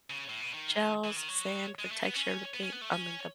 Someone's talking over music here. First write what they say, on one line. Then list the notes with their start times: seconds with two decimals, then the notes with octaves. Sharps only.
shells, sand for texture of the paint I mean, the
0.10 C#3
0.29 A2
0.41 B2
0.54 D#3
1.04 E3
1.16 D#3
1.28 F#3
1.79 G#3
1.91 A3
2.04 B3
2.16 C#4
2.54 B3
2.63 C#4
2.72 B3
2.81 A3
2.92 C#4